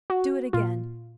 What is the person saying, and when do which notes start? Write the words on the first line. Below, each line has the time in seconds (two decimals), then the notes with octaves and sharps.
Do it again!
0.10 F#4
0.53 A#2 F4